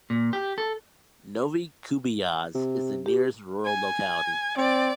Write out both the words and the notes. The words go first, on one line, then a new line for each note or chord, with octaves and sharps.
Novy Kubiyaz is the nearest rural locality.
A#2
G4
A4
C3
G4
G#5
C4 D5